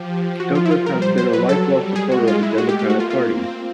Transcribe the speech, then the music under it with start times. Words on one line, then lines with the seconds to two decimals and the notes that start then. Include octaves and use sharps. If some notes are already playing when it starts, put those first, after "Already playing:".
Douglas has been a lifelong supporter of the Democratic Party.
Already playing: F3 G4
0.40 F#4
0.55 F4
0.66 E4
0.71 G3 F4
0.86 A#4
1.02 F#3 C5
1.18 C5
1.33 B4
1.49 A4
1.65 G3
1.96 G#3 G#4
2.12 F#4
2.28 F4
2.43 E4
2.58 A3 F#4
2.69 G4
2.79 G4
2.90 A#3 F#4
3.00 F4
3.10 F4
3.21 C4